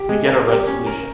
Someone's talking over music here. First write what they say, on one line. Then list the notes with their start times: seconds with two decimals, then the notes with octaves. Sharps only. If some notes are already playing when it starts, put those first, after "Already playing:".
We get a red solution.
Already playing: G4
0.09 G#3
0.29 A#4
0.48 G4
0.67 C#4
0.87 A#4